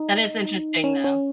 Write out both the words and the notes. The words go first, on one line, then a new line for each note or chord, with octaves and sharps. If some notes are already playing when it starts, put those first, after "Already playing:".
that is interesting, though.
Already playing: D#4
C#4
C#4